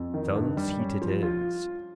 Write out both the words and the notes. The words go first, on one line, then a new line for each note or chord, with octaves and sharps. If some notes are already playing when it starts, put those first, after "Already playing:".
Sun's heat it is.
Already playing: F2
D#3
G2
G3
C#4
F3
F4